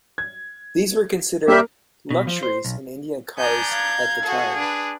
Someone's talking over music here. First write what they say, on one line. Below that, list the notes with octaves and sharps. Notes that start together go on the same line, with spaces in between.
These were considered luxuries in Indian cars at the time.
G#6
G3 A#3 G4 A#4 E5
B2
F3
C5
B1
B3 D4 G#5 A#5 G6
F5 G#6
F#4 G#4 A4
D4 B4